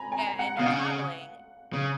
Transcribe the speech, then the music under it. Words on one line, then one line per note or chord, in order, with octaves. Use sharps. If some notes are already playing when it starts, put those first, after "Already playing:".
a and you're traveling
Already playing: G#5 A#5 B5
G#5
A#5
G#5
F#5
B2 F5
C#3 F#5
C#3